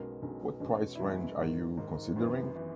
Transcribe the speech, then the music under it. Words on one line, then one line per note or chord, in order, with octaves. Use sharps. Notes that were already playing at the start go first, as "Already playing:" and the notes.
What price range are you considering?
Already playing: B1 B2 G#3 A#3 C#4 A#4
B1 B2 G#3 C#4
E2 B2 G#3 C#4
E4
E2 B2 F#3 G#3 C#4 F#4
G#2 D#3 A#3
G#2 D#3 A#3
G#1 F#2 E3 B3
E3 B3